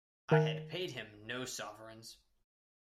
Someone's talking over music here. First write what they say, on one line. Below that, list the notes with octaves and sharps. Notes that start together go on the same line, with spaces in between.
I had paid him no sovereigns.
D#3 A#4 E5 G#5 F#6